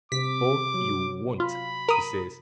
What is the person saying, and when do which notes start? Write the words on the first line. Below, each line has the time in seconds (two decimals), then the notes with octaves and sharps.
"No you won't," she says.
0.12 C3 D6 B6
0.74 F#3
1.40 F4 B5
1.88 A#4 D#6